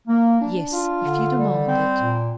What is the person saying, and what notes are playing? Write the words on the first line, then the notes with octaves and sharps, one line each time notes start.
"Yes, if you demand it."
A#3
D4
F4
D3
G3
C4
A#2